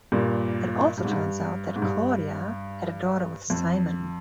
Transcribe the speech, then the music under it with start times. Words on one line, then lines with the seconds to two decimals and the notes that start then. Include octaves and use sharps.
It also turns out that Claudia had a daughter with Simon.
0.12 G2 A#2
0.98 G2
1.05 G#2
1.12 G2
1.76 G#2
1.82 G2
3.50 F2